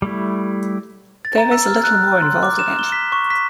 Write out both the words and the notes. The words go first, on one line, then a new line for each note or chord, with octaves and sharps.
There is a little more involved in it.
G3 A3 E4
A6
A#5
E6
F6
F#6
C6
D6
E7
G7
B6
C#6
B6